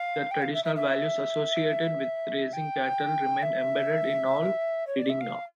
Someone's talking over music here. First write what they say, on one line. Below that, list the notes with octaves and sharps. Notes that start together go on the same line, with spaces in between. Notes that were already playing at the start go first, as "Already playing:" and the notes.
The traditional values associated with raising cattle remain embedded in all Didinga.
Already playing: F5
G5
F5
E5
E5
E5
G5
E5
C#5
D5
E5
F5